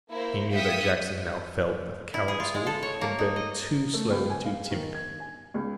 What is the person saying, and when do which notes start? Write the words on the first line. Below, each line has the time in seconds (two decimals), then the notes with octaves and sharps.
He knew that Jackson now felt that the council had been too slow and too timid.
0.11 A#3 E4 A#4 C5
0.53 E5 F5 G5 D#6 B6 C#7
2.14 E4
2.28 G#4
2.40 F4
2.55 G#3
2.67 A4
2.83 C#5
3.01 A#3
3.19 D#4
3.36 D#5
3.94 A3
4.10 C#2
4.30 G#5
4.45 F5
4.70 D#3
4.95 G#6
5.20 G#5
5.54 C#2